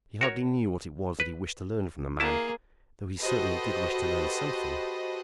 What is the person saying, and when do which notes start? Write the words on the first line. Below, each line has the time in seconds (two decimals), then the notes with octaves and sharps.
He hardly knew what it was that he wished to learn from the man, though he certainly did wish to learn something.
0.21 F#4 A#4 C#5
1.20 B4
2.20 A#3 E4 G#4 A5
3.21 F#4 G4 A4 B4 C5 D#5